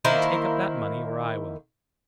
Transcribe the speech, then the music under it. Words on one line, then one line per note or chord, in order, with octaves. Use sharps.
You take up that money, or I will.
D#3 A#3 E4 C5